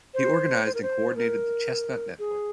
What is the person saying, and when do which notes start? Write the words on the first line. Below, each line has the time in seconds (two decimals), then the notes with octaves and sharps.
He organised and coordinated the "Chestnut" network.
0.14 C5
0.65 C5
0.74 A#4
0.82 C5
1.16 A#4
2.19 G#4